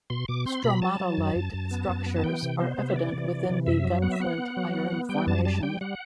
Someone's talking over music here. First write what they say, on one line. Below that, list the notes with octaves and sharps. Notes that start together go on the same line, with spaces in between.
Stromatolite structures are evident within the Gunflint Iron Formation.
B2 C6
B2 D6
C4 C6
B2 B5
F#3 A5
F#3
F#2
F#2
F#2
B3
F#2
B3
A5
E3 G5
C3
B3 C5
C3
E5
E3 D5
C3
E3
C3
F#2 E5
F#3
B3 F#5
E5
B3 F#5
B3
F#3
B3
B3
G3 G5
F#2 A5
G3 A5
G3 G5
G3 F#5